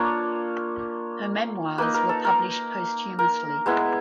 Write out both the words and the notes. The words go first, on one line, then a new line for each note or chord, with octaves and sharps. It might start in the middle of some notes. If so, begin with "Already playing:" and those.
Her memoirs were published posthumously.
Already playing: A#3 D4 F4 C#5
A#3 D#4 B4
A#4
A4
A#4
A#4
G#3 B3 E4